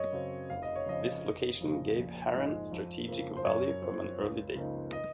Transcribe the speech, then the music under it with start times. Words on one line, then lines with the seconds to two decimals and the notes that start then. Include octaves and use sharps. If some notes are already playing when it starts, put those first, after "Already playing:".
This location gave Harran strategic value from an early date.
Already playing: F#2 C#5 D#5
0.12 C#3 F#3 C4
0.50 F1 F5
0.63 D#5
0.76 C#5
0.86 F2 C#3 D#5
1.23 F1
1.60 F2 C#3
1.97 A#1
2.35 G#2 F3 G#3
2.72 F2
3.08 C#3 F3 A#3
3.37 C5
3.45 F#2 C#5
3.82 F3 C4
4.19 C#2
4.55 C#3 F3 A#3 D#4
4.93 D#5